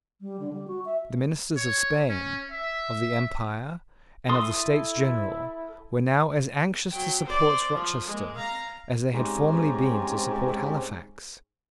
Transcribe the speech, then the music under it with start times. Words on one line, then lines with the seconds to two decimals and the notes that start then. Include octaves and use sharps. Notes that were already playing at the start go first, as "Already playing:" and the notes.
The ministers of Spain, of the Empire, and of the States General were now as anxious to support Rochester as they had formerly been to support Halifax.
0.21 G3
0.40 D3
0.53 G3
0.68 F#4
0.85 E5
1.56 C#5
2.09 C#4
2.51 E5
4.29 E4 A4 C6 D#6
6.92 F#3 G5
7.26 C5 D5
7.74 F3
8.07 G#3 A#3
8.36 F5 A#5
9.13 G#2 C4 C#4 G4